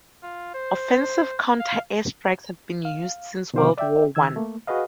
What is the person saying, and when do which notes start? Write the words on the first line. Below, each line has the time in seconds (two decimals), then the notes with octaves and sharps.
Offensive counter-air strikes have been used since World War One.
0.23 F4
0.54 C5
1.59 F5
2.85 F5
3.54 B2 D3 F3 C5 F5 D6
3.78 D5 E5 G5
4.15 D#3 E6 G#6
4.36 A3 A#3
4.67 F#4 G#4 B4 D#5 F5